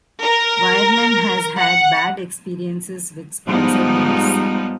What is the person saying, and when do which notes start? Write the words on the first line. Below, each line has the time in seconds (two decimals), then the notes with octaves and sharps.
Wirman has had bad experiences with sponsor deals.
0.23 A#4
1.58 F#5
3.47 G#2 F3 G3 B3 D#4